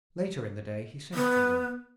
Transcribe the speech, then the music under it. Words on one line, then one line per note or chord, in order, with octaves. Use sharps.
Later in the day he sent for me.
B3